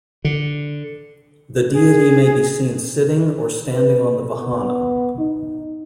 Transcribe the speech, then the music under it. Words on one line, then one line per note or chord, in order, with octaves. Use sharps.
The deity may be seen sitting or standing on the vahana.
D3
G#4
B4
B3
D#4